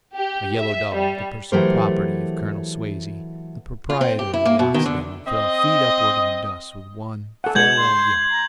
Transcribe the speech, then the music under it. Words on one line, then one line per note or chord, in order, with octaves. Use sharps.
A yellow dog, the personal property of Colonel Swazey, the proprietor of the Occidental, fell feet upward in the dust with one farewell yelp.
G4
E5
G3
E3 F#3 A3 G4 A#4 C5
F4
C4
G4
E4
A#3
B2
D#3
D3
C4 D#5
A4 F#5 G#5
G#3 F#5 G6 G#6 F#7
C6
A#5